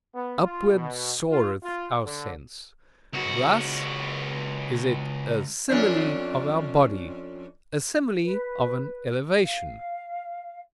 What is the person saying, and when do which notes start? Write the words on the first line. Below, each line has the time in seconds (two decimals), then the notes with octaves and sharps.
Upward soareth our sense: thus is it a simile of our body, a simile of an elevation.
0.14 B3
0.43 F4
0.73 B2
1.31 F4
1.63 F4
2.05 D3
3.13 C#2 F#4
5.70 F2 C#4 D4
8.24 B4
9.44 F5